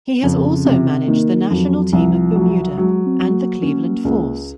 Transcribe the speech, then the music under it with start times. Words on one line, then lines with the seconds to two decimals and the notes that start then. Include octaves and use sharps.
He has also managed the national team of Bermuda and the Cleveland Force.
0.23 F2 C#3
0.65 C3
1.07 D#3 A#3
1.50 F2 F#3
1.93 C2 F3
2.35 F#3
2.77 F#3 G#3
3.06 C4
3.20 F#3
3.34 A#3
3.62 A#3 C#4
4.05 C#2